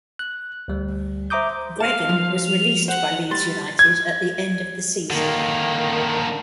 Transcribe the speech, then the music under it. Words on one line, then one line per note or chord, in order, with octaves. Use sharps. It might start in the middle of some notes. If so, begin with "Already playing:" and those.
Gregan was released by Leeds United at the end of the season.
F#6
D2 G3
C5 E5 A#5 D6 D#6 G6
C5 F5 A5
F3 F4
F7
C5 F#5
G3 C6 A6
G#6
D3 D#3 A#3